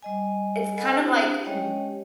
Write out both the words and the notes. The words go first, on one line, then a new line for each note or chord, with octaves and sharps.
it's kind of like, m
G3 D#5 G#5
A4 D#5 F#5 G#5 B5
C4 D4 E4 G4 C5
G#3 C#4 G4 C#5 D#5 G5